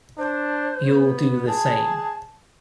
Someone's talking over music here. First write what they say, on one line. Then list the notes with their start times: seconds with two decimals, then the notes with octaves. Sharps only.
You'll do the same.
0.18 D4 C5
0.86 B3
1.48 G#4 A5